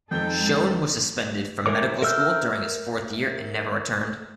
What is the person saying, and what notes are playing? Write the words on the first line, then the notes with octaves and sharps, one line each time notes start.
Shoen was suspended from medical school during his fourth year and never returned.
F2 G#3 D#4 A4 G5 G7
E3 A#4 C#5 D6
A#4 E5 E6 F6 G6